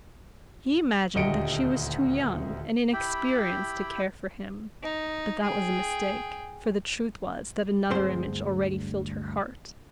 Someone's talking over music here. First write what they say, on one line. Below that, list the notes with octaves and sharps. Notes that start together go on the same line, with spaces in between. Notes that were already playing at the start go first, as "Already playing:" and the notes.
He imagined that she was too young and inexperienced to care for him; but that was a mistake, for the truth was that another image already filled her heart.
D#1 D2 G4 D#5 C#7 D7
E4 G4 G5 B5
D#4
G#4 G5
D2 G2 G#3 C4 C5